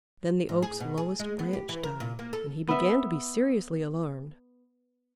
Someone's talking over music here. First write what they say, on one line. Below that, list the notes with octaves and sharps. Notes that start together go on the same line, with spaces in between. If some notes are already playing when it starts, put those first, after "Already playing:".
Then the Oak's lowest branch died, and he began to be seriously alarmed.
G#2
G#4
B2
G#4
G#3
B3
G4
E3
A#4
A#2
A#3
A4
B3 E5